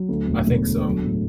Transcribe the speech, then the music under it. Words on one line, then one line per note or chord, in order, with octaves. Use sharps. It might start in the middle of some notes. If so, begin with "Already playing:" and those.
I think so.
Already playing: F#3
D2
E1
E1
D3
F#3
A2